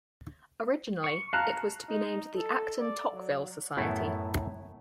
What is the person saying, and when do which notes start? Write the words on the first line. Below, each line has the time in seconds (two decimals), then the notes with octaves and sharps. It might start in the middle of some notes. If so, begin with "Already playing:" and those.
Originally, it was to be named the Acton-Tocqueville Society.
1.04 C#6
1.33 F5 A5 A#5 F#6
1.89 D#4
2.36 A4
2.79 D5
3.13 F#3
3.77 F#2 A2 A3 B3 E4